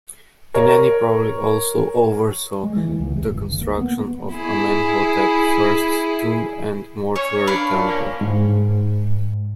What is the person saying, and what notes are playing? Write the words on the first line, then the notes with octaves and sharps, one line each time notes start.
Ineni probably also oversaw the construction of Amenhotep I's tomb and mortuary temple.
A#4 C#5
G#3
E3
D#2
C#2
E1
G1
D#2
A#3
B3
E4 G#4
C#4 C#5
D4 F5 B5
A#2
A#3 C#4
G#2